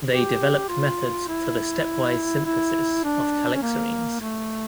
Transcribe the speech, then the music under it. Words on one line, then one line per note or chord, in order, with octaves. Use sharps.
They developed methods for the stepwise synthesis of calixarenes.
G4
F4
E4
E4
D4
C#4
A#3
A3